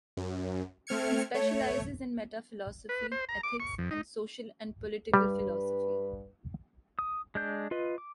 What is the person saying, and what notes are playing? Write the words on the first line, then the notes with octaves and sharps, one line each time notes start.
He specializes in metaphilosophy, ethics, and social and political philosophy.
F#2
A3 C4 F6 G#6 C#7
A3 C#5
B4
C5
A#5
D6
C#6
F2
D#4
G2 G3 B4
D#6
G#3 D4 G6
F4 B4 D#5
D6